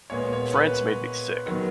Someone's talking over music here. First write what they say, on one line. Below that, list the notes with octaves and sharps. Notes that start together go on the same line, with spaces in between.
France made me sick.
A#2 G#3 B3 C#5
C#5
B4
D#3 F#3 B3